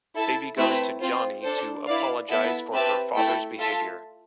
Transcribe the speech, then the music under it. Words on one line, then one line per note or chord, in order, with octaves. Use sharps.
Baby goes to Johnny to apologize for her father's behavior.
E4 A4 E5 A5
A3 C4 E4 B4 E5
C4 F4 C5
D4 A4 C5
E4 B4 D5 F5
B3 E4 A4 E5 A5
C4 G4 B4 E5 A5
A3 E4 A4 E5 G5
F4 A4 E5 A5